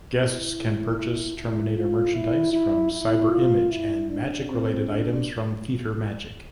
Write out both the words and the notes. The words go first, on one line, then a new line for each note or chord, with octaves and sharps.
Guests can purchase Terminator merchandise from "Cyber Image" and magic-related items from "Theatre Magic".
E4
E4
F4
E4
E4
E4
F4
E4
D4
C4
D4